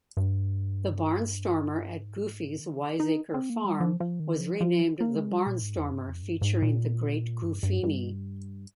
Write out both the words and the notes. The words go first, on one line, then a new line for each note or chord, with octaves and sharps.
The Barnstormer at Goofy's Wiseacre Farm was renamed The Barnstormer featuring the Great Goofini.
G2
G#2
D#3
D#4
C4
A#3
G3
F3
F3
D#3
F3
F3
A#3
G#3
G3
A#2
G#2
F2
G2
F2
G2
G#2
A#2
G2
G2
G2